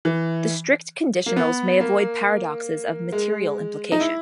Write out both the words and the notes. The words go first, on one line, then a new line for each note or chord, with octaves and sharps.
The strict conditionals may avoid paradoxes of material implication.
E3
A#3
B3
A#3
G#3
D#4
E4